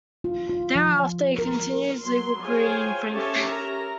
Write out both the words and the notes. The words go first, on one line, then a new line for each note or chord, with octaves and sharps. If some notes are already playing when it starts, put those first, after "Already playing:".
Thereafter, he continued his legal career in Frankfurt.
F4
F4
F3
A#4
F#3 C6
F4 G#4 C5 C#5 G5 G#5
C#4 G4 A4 C#5 E5 A5
A#4 A#5